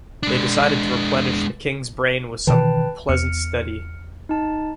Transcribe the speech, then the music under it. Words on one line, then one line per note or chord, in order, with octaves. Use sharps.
They decided to replenish the king's brain with some pleasant study.
G#3 D4
B2 D#3 E3 B4 G5 A5
E2 F6 C#7
D#4 A5